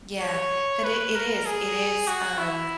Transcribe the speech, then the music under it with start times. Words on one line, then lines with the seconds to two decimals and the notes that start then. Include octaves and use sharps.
Yeah. That i it is it is, um
0.21 C#5
0.84 B4
1.15 A#4
1.46 G#4
2.08 F#4
2.38 E4